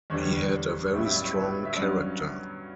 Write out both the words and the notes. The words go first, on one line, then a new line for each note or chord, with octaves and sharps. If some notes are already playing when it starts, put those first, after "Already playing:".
He had a very strong character.
E2 D3 G3 C#5
B1 A2 G3 C#4 E4
E5
D5
C#5
B4
E5
G2 F#3 C#4 D5